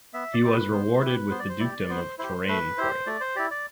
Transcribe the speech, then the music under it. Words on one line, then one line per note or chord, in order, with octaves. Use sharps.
He was rewarded with the dukedom of Touraine for it.
B3 E5
D5
E4 G4
B4
B3 C5
E4 G4 B4
B3 C5
D5
C5
E4 G4 D5
B3 C5
E4 G4 C5
A3 B4
E4 G4 C5
A3 D5
C5
E4 G4 D5
D5